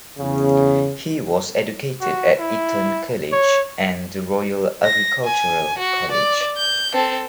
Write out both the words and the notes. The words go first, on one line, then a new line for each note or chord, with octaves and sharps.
He was educated at Eton College and the Royal Agricultural College.
E2 C#3
F#4
E4
C#5
A#6
G#5
F#4
D5
G6
C4 A4